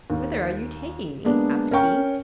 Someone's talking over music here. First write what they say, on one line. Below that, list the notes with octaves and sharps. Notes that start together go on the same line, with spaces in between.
"Whither are you taking me?" asked he.
D#2
G#3 A#3 B3 D4
C#4 A#4 C#5 G5 C#6